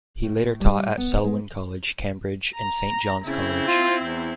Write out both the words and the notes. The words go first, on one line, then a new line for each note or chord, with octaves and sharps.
He later taught at Selwyn College, Cambridge and Saint John's College.
A2
G3
B3
G#3
A#5
C#3 C4 E4
F4
E2